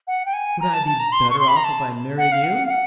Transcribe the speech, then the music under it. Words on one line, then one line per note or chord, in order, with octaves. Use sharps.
"Would I be better off if I married you?"
F#5
G5
G#5
A#5
A5
A5
A#5
C6
C#6
C6
B5
A#5
A5
F#5
F5
F#5
F5
F#5